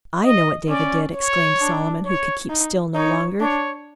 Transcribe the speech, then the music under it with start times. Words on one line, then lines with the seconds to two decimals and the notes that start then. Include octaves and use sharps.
"I know what David did," exclaimed Solomon, who could keep still no longer.
0.23 D#5
0.69 C#4 D5
1.14 C#5
1.59 D4
2.04 C#5
2.49 D#4
2.95 D#4 C#5
3.40 D4 C#5